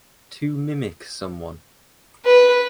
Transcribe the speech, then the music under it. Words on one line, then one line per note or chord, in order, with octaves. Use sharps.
To mimic someone.
B4